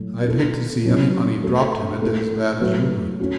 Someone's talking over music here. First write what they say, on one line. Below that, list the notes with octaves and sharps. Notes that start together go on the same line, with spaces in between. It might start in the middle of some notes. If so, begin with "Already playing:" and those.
I'd hate to see any money dropped in it as bad as you would.'
Already playing: A2 F#3 A3
B2 B3 E4 A4
F#3 C#4 E4
A3 F#4 A4
A3 E4 A4
F#3 A3 F#4 B4
C#4 F#4